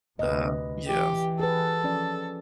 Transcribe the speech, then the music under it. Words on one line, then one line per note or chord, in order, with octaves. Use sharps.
Uh, yeah.
D2 C3 B4 D#5
E3 G4
G#4 A4 B4
F3 C#4 D5